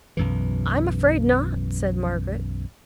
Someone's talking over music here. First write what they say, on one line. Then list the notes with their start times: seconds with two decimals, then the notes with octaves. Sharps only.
'I'm afraid not,' said Margaret.
0.17 B1 F#2 E3